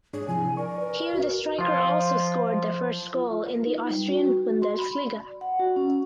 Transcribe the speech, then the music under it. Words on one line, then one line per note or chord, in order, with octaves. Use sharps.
Here the striker also scored the first goal in the Austrian Bundesliga.
G#2 D4 G#4 C#5
C3 F3 E4 G#5
A#4 D5 C#6
B4
C#2 F#4
F3 F4
F4
B4
D#4
G3
F#4
F#4
C6
B5
D5
F#5
F#4
C#4